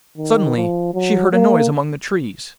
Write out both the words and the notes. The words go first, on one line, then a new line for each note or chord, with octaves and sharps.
Suddenly she heard a noise among the trees.
D#3
F3
F#3
A#3